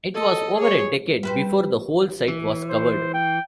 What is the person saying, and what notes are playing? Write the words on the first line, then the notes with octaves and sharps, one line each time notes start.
It was over a decade before the whole site was covered.
A4 D#5
G#4 C#5
G3 B4 C5
E3
C5
G5